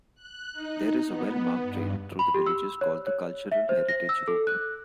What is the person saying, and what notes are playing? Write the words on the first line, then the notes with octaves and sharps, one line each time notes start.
There is a well-marked trail through the villages called The Cultural Heritage Route.
F#6
D#4
B3
G2
B5
G4
E6
C#5
C#5
E5
C5
A#6
E6
A4
F#6